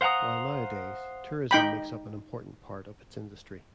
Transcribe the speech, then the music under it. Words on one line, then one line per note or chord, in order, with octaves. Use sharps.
While nowadays, tourism makes up an important part of its industry.
C5 F5 F#5 A#5 D#6
D#4 G5 B5